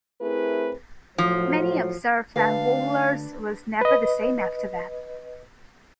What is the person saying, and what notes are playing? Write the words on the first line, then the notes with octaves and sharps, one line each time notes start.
Many observe that Wohlers was never the same after that.
A3 C4 E4 G#4 A#4 B4
A2 F3 F#3 C5
D2 D4 B4 F5 A5
B4 D#5